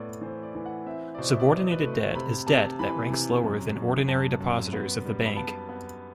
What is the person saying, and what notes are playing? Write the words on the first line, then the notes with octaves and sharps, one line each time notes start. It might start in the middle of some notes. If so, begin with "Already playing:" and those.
Subordinated debt is debt that ranks lower than ordinary depositors of the bank.
Already playing: A2 B3 D5
E3 C5
D5
E3
F#5
C4 E5
D5
B2 C5
E5
D5
B2 C5
B4
A3
C5
C3 B5
C3 A5
E3 B5
C3
F#2
F#2
F#2 A5
F#2
B3
G3
B5
B3 A5
B3